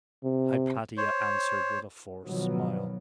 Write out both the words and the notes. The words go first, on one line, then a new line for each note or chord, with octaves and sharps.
Hypatia answered with a forced smile.
C3
C5 C#5
B2 D#3 F3 F#3 B3